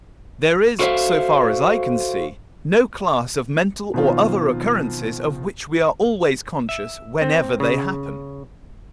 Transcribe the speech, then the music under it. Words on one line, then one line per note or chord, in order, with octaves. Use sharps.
There is, so far as I can see, no class of mental or other occurrences of which we are always conscious whenever they happen.
F#4 A4 C5 D5 E5 F5
B2 D#3 F3 C4 F4
E5
C4
C#3